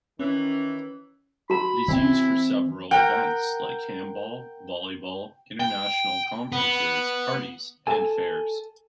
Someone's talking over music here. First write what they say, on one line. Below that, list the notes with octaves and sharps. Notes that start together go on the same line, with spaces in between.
It is used for several events, like handball, volleyball, international conferences, parties and fairs.
D#3 E3 C#4
F#4 A#5 B5
E3 C4 E4
A#4 F#5 G5
G5
B3
A4 G#5